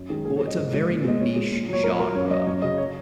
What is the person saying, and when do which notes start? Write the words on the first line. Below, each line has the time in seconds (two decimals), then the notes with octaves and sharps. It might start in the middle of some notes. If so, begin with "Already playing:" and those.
Oh, it's a very niche genre,
Already playing: F#2
0.10 D#3 G#3 G#4
0.25 A#2 G#4
0.36 C#5
0.41 F#3
0.47 D#5
0.57 G#2
0.73 G#3
0.89 A#2
1.05 G#3 D#5
1.20 A#2 C#5
1.36 G#3
1.52 A#2
1.68 F#3 C#5
1.84 A#2 A#4
1.99 F#3 A#4
2.15 F#2 C#5
2.30 F#3 D#5
2.47 F#2 C#5
2.62 C#3 F#3 D#5
2.78 C#5